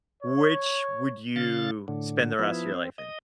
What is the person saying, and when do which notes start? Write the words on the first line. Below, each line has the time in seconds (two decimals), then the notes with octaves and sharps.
which would you spend the rest of your life in?
0.23 C#5
1.36 C#3 F5 A6
1.88 A2 D3
2.39 F3 B3 E4
2.74 C4
2.98 D#5